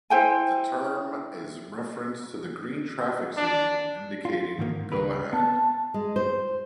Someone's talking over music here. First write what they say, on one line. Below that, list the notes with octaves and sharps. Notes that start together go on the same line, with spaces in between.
The term is a reference to the green traffic signal, indicating "go ahead".
E4 C5 G5 G#5
D4
F4
G#2 D#3 A#3
C#2 A#4 B4
B3 A5
G#3
C5